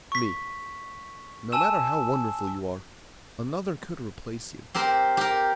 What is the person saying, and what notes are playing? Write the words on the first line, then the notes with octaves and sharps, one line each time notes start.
ME: No matter how wonderful you are, another could replace you.
C#6 B6
G#5 A5 E6 E7
C4 G4 A#4 C5
G4 A#4